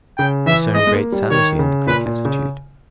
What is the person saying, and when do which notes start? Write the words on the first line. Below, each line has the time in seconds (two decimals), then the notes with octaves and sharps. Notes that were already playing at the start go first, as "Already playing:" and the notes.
I discern great sanity in the Greek attitude.
0.18 C#3 G5
0.46 E3 E5
0.74 G#3 D#5
0.87 G#3
0.94 A#3
1.12 G3
1.30 D#3 C#5
1.59 C#3
1.87 A#2 B4
2.06 A#2
2.25 C#3